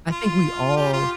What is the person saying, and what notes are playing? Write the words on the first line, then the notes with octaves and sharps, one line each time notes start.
I think we all
F4
G4
F4